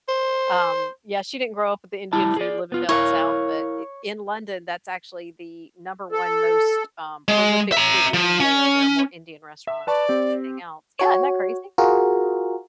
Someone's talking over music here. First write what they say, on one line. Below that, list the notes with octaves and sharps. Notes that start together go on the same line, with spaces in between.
um, yeah, she didn't grow up with the Indian food living down south, but i in London, that's actually the number one most, um, prolific cuisine there. There are more Indian restaurants than anything else. Yeah, isn't that crazy?
C5
G3 E4 A5
G#4 D5
B3 F4
E4 A#4 C#5 F5
A4
G#3
E5 A#5
F3
C#4
E5
B4 D5 A5 C#6
C4 G4
F#4 C#5
F4 F#4 G#4 A#4